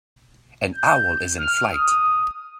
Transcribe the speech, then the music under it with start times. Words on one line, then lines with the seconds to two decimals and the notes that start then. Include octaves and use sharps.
An owl is in flight.
0.76 G6
1.39 F6
1.74 D#6